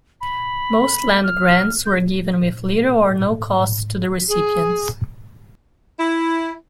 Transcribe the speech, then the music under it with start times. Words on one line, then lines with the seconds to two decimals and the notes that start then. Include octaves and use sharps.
Most land grants were given with little or no cost to the recipients.
0.21 B5
1.23 F6
1.86 G6
4.28 G#4
6.00 E4